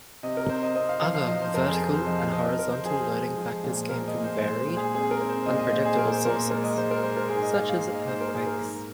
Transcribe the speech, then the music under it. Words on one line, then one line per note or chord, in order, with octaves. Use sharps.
Other vertical and horizontal loading factors come from varied, unpredictable sources, such as earthquakes.
C3 D#5
A#4
C4 C5
D#5
C4 D#5
F5
F3 F5
F5
F3 D#5
C5
F2 A#4
G#4
C3
C5
F3 D#5
F5
C4 D#5
A#4
F3 A#4
C5
F3 G#4
G#3
F3
A#2
A#2 A#4
D#5
A#2
C5
G#3 C5
C5
A#2
G#4
C4 G#4
A#4
C4
C5
A#2 D#5
D#5
A#2 C5
G#4
A#2 A#4
C5
A#2 A#4
G#3 A#4
D#5
G#3 C5
A#4
G#3 C5
A#4
G#2 G#4
D#5
G#2 F5
F5
G#2
D#5
G#2 C5
A#4
G#2 G#4
A#4
G#2